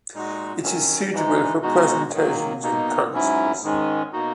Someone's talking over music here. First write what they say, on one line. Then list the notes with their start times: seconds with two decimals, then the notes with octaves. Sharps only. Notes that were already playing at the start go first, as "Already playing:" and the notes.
It is suitable for presentations and concerts.
0.13 A#2 G#3 D#4 F#4
0.63 D#3 F#3 C#4
1.13 G#2 E3 G#3 D#4
1.62 B2 G#3 D#4 F#4
2.13 D#3 F#3 A#3
2.62 B2 A#3 D#4
3.12 G#2 F#3 C#4 E4
3.63 G#2 D#3 G#3 C#4
4.13 B2 A#3 D#4 F#4